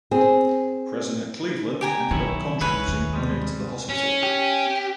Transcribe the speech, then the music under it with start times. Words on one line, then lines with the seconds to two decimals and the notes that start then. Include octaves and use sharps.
President Cleveland ended up contributing money to the hospital.
0.11 C4 G#4
1.81 G4 G#5 A#5
2.11 B1 D#3 E4 C#5
2.61 C#2 E4 B4 C#5 G#5
2.88 D#2
3.13 C3 G3 G#3
3.89 C#4
4.23 G4